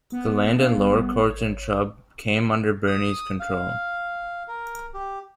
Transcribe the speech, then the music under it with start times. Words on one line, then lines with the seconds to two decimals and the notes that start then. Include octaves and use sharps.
The land and lower courts in Trub came under Bernese control.
0.12 B3
0.56 D4 F5
0.77 G#1 G3 G#4
1.27 C#5
2.87 D#6
3.40 F5
4.48 A#4
4.94 G4